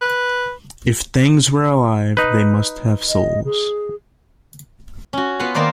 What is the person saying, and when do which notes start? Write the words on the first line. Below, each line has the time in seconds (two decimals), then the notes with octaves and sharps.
If things were alive, they must have souls.
0.01 B4
2.17 D#4 B4
3.09 D#5
3.45 G#4
5.13 C#4 F#4
5.39 B3 F4 B4 F5 F#5
5.54 D#3 A#3 D#4 C5 D5